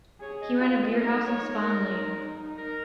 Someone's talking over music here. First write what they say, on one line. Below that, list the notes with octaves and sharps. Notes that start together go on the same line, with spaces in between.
He ran a beer house in Spon Lane.
G#4 C#5
D#5
F4 D#5
G#4
D#4 A#4
C#5
D#4
A#4
A#4